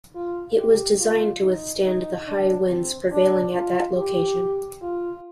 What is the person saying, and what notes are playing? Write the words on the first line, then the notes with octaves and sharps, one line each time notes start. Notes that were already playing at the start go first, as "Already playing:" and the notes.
It was designed to withstand the high winds prevailing at that location.
F4
G4
F4
D#4
D#4
D4
C4
D4
F4
G4
F4